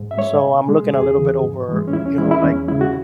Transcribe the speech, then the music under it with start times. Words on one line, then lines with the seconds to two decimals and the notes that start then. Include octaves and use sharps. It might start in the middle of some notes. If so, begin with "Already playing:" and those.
so I'm looking a little bit over, you know, like,
Already playing: G#2
0.11 E5
0.18 G#3 C#5
0.43 B2
0.69 G#3
0.93 E2 G#4
1.18 C#3 E3
1.43 G#2
1.68 E3 G#3
1.88 C#4
1.93 E2 E4
2.06 C#4
2.18 E3 G#3 E4
2.31 E4
2.43 E2 C#4
2.68 C#3 G#3 E4
2.81 F#4